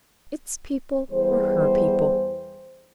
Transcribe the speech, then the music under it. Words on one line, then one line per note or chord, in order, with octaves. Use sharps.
Its people were her people.
E2 G3 G#4 C5